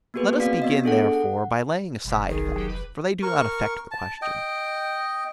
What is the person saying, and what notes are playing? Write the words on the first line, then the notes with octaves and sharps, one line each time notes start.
Let us begin therefore, by laying aside facts, for they do not affect the question.
A#3 B3 F#4 G#4 B4
C4 F#4 D5 F5 B6
B3 D#5
D4 G#4 A4 F#5
F#5
F1 B2 G3
B1 D#3 G#4
F#3 G4
B4
A#4 C#6
A5
D#5 G5